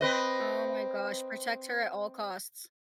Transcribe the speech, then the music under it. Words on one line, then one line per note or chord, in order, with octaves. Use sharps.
Oh my gosh. Protect her at all costs.
C4 B4 D#5